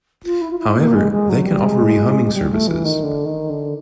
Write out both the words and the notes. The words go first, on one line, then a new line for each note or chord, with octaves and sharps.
However, they can offer rehoming services.
F4
E4
F4
E4
A#3
G#3
G#3
F#3
G3
G#3
G3
A3
E3
D#3
D3
D#3
D3